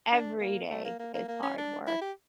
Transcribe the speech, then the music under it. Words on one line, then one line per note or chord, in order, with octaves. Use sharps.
every day, it's hard work.
D4
A#3
A3
A#3
A#3
A#3
A#3
C#4
D4
E4
G4